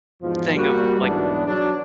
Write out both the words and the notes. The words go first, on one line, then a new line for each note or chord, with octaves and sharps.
thing of, like,
E2 G#2 B2 F3
G3 A#3 F#4
B1 E2 G#2 B3 D4 B4
F#3 D4